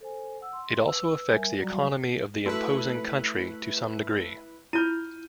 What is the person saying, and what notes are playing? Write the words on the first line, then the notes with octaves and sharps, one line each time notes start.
It also affects the economy of the imposing country to some degree.
A4 C5 G#5
F#5 E6
C6
B4 E6
G3 A#4 E5 G#5
F#3 G3 F#4 D5 A#5
A3 E4 F#4 B4
E4 F4 F6 G6 D#7